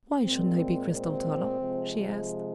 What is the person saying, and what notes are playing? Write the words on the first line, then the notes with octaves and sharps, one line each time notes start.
"Why shouldn't I be Cristel Toller?" she asked.
A#2 G#3 C4
C4
C3 F3 G#3